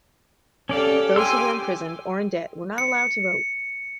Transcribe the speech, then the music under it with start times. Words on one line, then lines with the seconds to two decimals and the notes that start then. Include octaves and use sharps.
Those who were imprisoned or in debt were not allowed to vote.
0.69 C#4 G4 A4 D5 F5
1.16 G4 G5 G#5 C6 E6
2.78 C#7